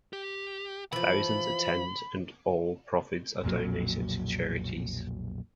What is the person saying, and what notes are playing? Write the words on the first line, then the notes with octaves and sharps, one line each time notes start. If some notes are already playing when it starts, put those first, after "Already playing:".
Thousands attend and all profits are donated to charities.
G4
E3 F3 B5
B1 F2 A#2 F#3